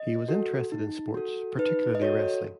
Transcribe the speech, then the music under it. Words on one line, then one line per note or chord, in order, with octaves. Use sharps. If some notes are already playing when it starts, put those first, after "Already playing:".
He was interested in sports, particularly wrestling.
Already playing: D#5
F#4 A4
D#4
F#4 A4
D#4 B4
D#5
F#4 A4 C#5